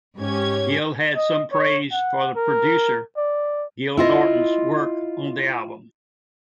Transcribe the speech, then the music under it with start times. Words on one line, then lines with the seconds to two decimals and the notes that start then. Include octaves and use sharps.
Gill had some praise for producer Gil Norton's work on the album.
0.19 G#2 C#4 G4 C#5 G#6
1.16 D#5
1.52 C#5
1.92 F#5
2.36 A#4
3.17 D5
3.97 E4 F4 D#5